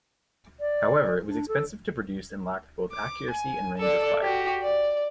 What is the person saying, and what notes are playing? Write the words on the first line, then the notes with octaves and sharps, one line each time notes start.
However, it was expensive to produce and lacked both accuracy and range of fire.
D5
D4
A4
D6
G#5
A4 D5
F#4 G4
D5